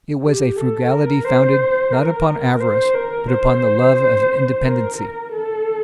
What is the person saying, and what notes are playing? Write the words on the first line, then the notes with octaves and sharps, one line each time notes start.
It was a frugality founded not upon avarice, but upon the love of independency.
G4
A4
A#4
C5
A#4
C5
A#4
C5
A#4
A#4
A4